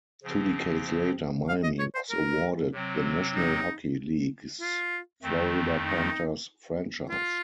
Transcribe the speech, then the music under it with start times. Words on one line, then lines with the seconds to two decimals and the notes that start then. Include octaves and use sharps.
Two decades later, Miami was awarded the National Hockey League's Florida Panthers franchise.
0.24 C#3 F3 C4
1.48 F5
1.63 D#5
1.79 C#5
1.95 C5
2.10 A#4
2.73 C3 F#3 C4
3.35 D#4
4.61 F4
5.23 F2 D#3 A3 C4
5.85 D#4
7.10 F4